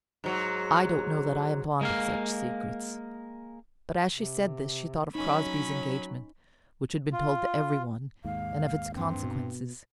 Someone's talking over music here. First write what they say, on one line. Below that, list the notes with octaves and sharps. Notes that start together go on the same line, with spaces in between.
"I don't know that I am fond of such secrets." But as she said this, she thought of Crosbie's engagement, which had been told to every one, and of its consequences.
G#2 F#3
G#3 A#3 F5
C3
F#3 C#4 D#4 B5
F4
D#2 G#2 F5
G2 C4
B2